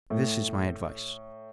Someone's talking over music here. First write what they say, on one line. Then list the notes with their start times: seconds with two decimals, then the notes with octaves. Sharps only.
This is my advice.
0.10 A2